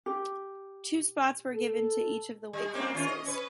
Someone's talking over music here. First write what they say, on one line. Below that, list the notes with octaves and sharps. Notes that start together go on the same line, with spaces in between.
Two spots were given to each of the weight classes.
G4
A4
G3
A#3 C4 C#4
D#3 C#4 F4
D#5
C#4 B4